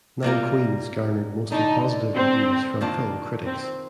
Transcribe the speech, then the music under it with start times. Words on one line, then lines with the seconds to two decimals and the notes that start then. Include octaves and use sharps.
"Nine Queens" garnered mostly positive reviews from film critics.
0.23 C3 G3 A#3 F4 A#4
1.52 D3 A3 D4 D#4 A4
2.16 C4
2.81 D#3 A#3 D4 F4
3.46 C4